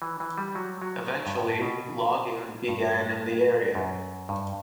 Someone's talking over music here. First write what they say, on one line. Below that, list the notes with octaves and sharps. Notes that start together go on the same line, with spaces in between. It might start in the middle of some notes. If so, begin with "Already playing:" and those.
Eventually, logging began in the area.
E3
E3
G3
F#3
F#3
G2
A2
B2
G2
F#2
G2